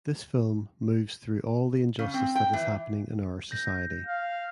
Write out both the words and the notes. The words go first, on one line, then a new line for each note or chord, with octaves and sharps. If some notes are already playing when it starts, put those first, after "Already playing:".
This film moves through all the injustice that is happening in our society.
C#3
C4
G5
E3
G6 A#6
F5